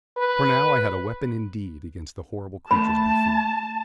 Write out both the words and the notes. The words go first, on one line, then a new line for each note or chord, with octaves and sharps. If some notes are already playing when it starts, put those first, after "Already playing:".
For now I had a weapon indeed against the horrible creatures we feared.
B4
A3 A5 B5